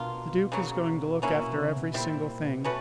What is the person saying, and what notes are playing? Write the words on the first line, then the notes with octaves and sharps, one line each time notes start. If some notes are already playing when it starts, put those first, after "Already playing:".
The duke is going to look after every single thing.
Already playing: B2 A#3 D4 F4
C#3 F#3 A#3
A#2 F#3 A#3 C#4 E4
B2
C#3
B2
A#2 G3 C4 E4
A#2
A#2
B2
A3 C#4 F#4 B4